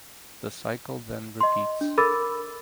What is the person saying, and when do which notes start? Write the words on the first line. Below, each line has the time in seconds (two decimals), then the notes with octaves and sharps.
The cycle then repeats.
1.41 D#5 C6
1.81 D4
1.98 A4 A#4 B5 D6 E6 A6